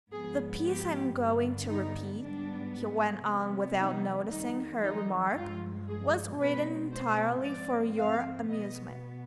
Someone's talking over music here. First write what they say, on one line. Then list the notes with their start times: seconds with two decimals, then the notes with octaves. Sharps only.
'The piece I'm going to repeat,' he went on without noticing her remark, 'was written entirely for your amusement.'
0.11 G#2 F3 B3 G#4
0.64 G4
1.17 G2 D3 G3 B3
1.69 D#4
2.21 G#2 G3 B3 D4
3.26 C3 F3 B3
3.79 D#4
4.31 F2 D#3 G3 D#4
4.83 D#4
5.35 G2 F3 G#3 F4
5.88 G#4
6.40 B2 G#3 C4 B4
6.93 C5
7.45 G#2 F3 C4 D5
7.98 F5
8.50 B2 B3 D#5